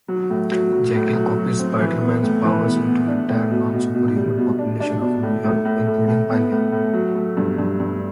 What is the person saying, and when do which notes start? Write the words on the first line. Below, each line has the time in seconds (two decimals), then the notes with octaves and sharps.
Jackal copies Spider-Man's powers into the entire non-superhuman population of New York, including Anya.
0.08 F#3
0.30 A2
0.52 F#3
0.73 F#3
0.95 A2
1.15 F#3
1.37 F#3
1.59 C4
1.80 E3
2.01 B3
2.23 A2
2.45 E3
2.65 B3
2.87 B3
3.08 D4
3.29 A2
3.51 B2
3.73 B2
3.95 B2
4.16 G3
4.37 B2
4.59 D4
4.80 D4
5.01 B2
5.23 A2
5.44 A2
5.65 A2
5.87 A2
6.08 A2
6.30 B3
6.52 A2
6.72 A2
6.93 F#3
7.15 A3
7.37 G2
7.58 G2
7.80 G2